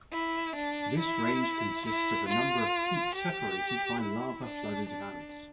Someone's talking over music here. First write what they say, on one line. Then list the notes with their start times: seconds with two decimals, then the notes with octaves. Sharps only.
This range consists of a number of peaks separated by lava-flooded valleys.
0.13 E4
0.56 D4
0.99 E4
1.86 E4
2.29 F4
3.15 G4
4.01 E4
4.44 D4
4.89 D4